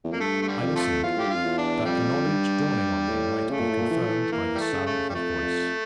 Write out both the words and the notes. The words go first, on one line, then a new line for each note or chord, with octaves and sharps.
I listened, that the knowledge dawning on me might be confirmed by the sound of his voice.
E2
F2 A#3
G2 A3
A3
D3 G3
F2
F3 A3
E2 F4
A2 G4
G2 F4
F2
E2
D4
F2 G3
G2
G2
A2
C#3 A3
A#2
A2
A#2
E3
F3
E3
E3 A#3
G3
A3
C#3
A3
G3
F2 A3
F2